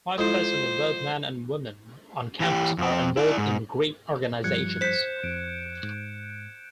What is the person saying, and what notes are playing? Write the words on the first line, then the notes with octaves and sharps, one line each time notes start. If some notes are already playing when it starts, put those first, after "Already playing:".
Five percent of both men and women on campus are involved in Greek organizations.
F2 G#3 E4 C5
E3 G4
F2 C4
E4 D5
G#2
G2 F3 G3 F#6 G#6 C#7
C5 G6 B6 C#7 E7
F2 D7
G#2